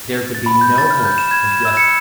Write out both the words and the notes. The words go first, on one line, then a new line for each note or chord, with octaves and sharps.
There could be no hope of rescue.
A6
B5
G6
A6
F6
G6
E7
G#6
E7
E6
C#7